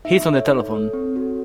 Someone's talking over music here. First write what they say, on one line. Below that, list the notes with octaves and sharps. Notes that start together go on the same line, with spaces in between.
He's on the telephone.
D#4 E5
A4
C#5
D#4
A4
C4
F#4 A4